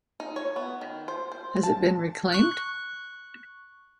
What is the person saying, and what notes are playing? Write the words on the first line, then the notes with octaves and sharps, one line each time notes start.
Has it been reclaimed?
D#4
C#5
B3
D#3
C5
C5
A5
C#6 F#6